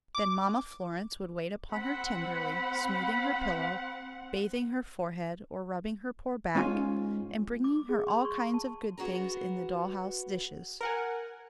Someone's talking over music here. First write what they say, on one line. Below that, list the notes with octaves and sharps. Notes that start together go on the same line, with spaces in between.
Then Mamma Florence would wait upon her tenderly, smoothing her pillow, bathing her forehead or rubbing her poor back, and bringing her all kinds of good things in the doll-house dishes.
D6
C4 F#5 B5
G#2 C#4 F4 G#5
D6
G#4
C6
C#6
A5
B3 F#4 G#4 A#5
A#4 F#5 G#5